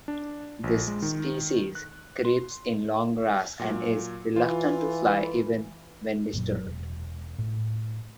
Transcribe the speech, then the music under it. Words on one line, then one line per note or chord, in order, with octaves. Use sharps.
This species creeps in long grass, and is reluctant to fly even when disturbed.
D4
A#1
G#3
D#3
F#6
C6
A#2 F#3
E3 F4
F#1 A#2 C#3 F#3
E1
A2